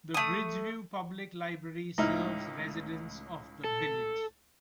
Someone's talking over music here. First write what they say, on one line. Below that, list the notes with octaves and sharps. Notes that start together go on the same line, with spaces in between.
The Bridgeview Public Library serves residents of the village.
A3 D#6
C#2 A2 D#4 E4 F6
A4